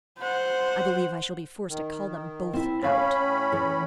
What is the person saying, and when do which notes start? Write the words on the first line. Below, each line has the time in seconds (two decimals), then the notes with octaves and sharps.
I believe I shall be forced to call them both out.
0.19 C5 F#5
1.69 D#3
2.53 C4 E4
2.83 A2 C#4 C#5 F5 B5
3.52 E3 A4